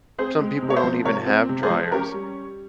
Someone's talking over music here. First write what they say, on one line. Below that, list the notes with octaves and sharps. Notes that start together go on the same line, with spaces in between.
some people don't even have dryers.
C4 G#4 C5
G#3
C3
C#5
C5 E5
F3
C3 A#4 C#5
C4
C3
G#4 C5
F3
C#4 G4 A#4
G3